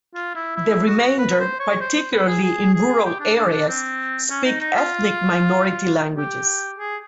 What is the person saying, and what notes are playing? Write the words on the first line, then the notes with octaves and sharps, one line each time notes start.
The remainder, particularly in rural areas, speak ethnic minority languages.
F4
E4
E4
F#4
B4
C5
C#5
C5
C5
B4
G#4
G#4
G#4
G4
D4
D4
D4
C4
C#4
D#4
D#4
F4
G4
G#4